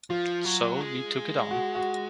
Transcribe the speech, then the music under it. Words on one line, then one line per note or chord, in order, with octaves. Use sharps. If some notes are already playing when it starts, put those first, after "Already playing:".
So we took it on.
F3 F4
F#3
G#3
F#4
F#4